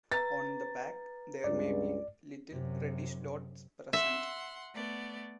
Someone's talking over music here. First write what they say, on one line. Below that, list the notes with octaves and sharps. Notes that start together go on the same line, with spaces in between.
On the back there may be little reddish dots present.
B4 A#5 A6
C#2 G2 D5
F#2 C3
E5 F#5 C6
A3 B3 D5